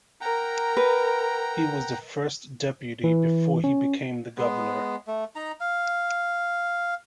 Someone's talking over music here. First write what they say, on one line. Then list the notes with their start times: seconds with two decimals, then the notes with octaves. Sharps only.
He was the first deputy before he became the governor.
0.21 A#4 F#5 G5 A#5
0.77 B4
3.04 E3
3.64 C#4
4.38 G#3 B3
5.07 A3
5.36 D#4 A#5
5.60 F5